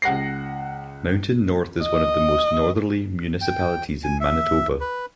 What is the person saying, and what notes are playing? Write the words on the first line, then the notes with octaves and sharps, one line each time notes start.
Mountain North is one of the most northerly municipalities in Manitoba.
C#2 F#5 A#6 C7
D#5
G5
G#5
E5
B4